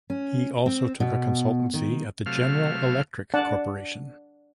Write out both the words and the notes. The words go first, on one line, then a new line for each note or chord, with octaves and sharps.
He also took a consultancy at the General Electric Corporation.
C#4
C4
B2
D#3
C3 F#3 A3 F5 F6
D4 D5 F#5 A5